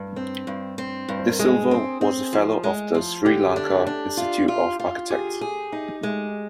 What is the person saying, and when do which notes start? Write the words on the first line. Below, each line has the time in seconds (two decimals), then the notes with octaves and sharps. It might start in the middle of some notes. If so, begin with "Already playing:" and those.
De Silva was a fellow of the Sri Lanka Institute of Architects.
Already playing: G2
0.16 C4
0.47 G2
0.78 C4
1.09 G2
1.19 C5
1.29 A#4
1.39 G#3 G#4
1.71 C4
2.01 C4
2.33 F3
2.64 G#3
2.94 F3
3.25 D3 G4
3.56 D4
3.87 D4
4.17 F4
4.48 F4
4.79 F4
5.10 G4 G#4
5.41 G#4
5.72 D#4
6.03 G#3